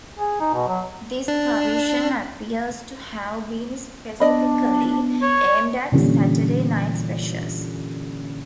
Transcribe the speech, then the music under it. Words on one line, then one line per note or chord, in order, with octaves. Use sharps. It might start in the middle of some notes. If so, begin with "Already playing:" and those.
This provision appears to have been specifically aimed at "Saturday night specials".
G#4
D#4
B2
F#3
D4
B3 D4 D5 D#5 B5
C#5
A#2 D3 E3 G3 C#4